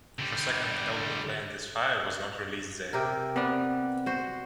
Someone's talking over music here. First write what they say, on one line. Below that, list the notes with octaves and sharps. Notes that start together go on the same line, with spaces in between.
Her second album "Playin' With Fire", was not released there.
D3 G3
C3 G4 A#4
B3 C4 B4 D5
F#4 C5